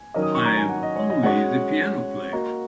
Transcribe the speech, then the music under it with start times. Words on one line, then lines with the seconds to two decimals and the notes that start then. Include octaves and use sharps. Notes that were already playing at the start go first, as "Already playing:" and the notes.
I'm only the piano player!
Already playing: G#5
0.14 D#3 F#3 C#4 A#4 D#5
0.22 D#6
0.35 C#6
0.45 A#5
0.57 G#5
0.69 F#5
0.83 D#5
0.96 C#5
1.10 D#5
1.23 G#3 C#4 F#4 C#5 F#5
2.33 A#3 F#4 D#5 A#5